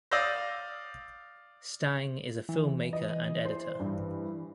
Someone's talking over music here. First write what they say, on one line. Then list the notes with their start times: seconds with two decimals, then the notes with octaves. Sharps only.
Stang is a filmmaker and editor.
0.12 D5 F5 D#6 E6 G6 A#6
2.49 E3
2.93 D#5
3.45 C5 D5
3.80 G2